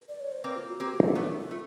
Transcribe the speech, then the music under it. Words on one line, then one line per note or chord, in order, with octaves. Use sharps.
Some people said this was because pigs were unclean.
D5
C#5
C5
A#3 C4 B4
F4
F#4
A#3 C4 G4
F#4
F4
A3 B3 E4
F4
A3